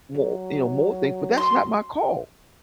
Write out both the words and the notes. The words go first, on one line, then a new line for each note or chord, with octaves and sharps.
mor you know, more things, but that's not my call
F#3
C6